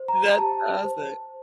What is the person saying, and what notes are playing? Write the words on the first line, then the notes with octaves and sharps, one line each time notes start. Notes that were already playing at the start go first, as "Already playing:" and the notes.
That's awesome.
Already playing: C5
A#5
G4 A5
C5